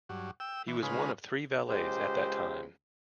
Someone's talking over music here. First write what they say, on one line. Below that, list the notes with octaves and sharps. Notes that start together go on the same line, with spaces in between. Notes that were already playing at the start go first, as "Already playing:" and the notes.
He was one of three valets at that time.
G2 F#3
G5 E6
E3
C#3 G#3 D#4 F4 B4
C#2 G#3 G4 C5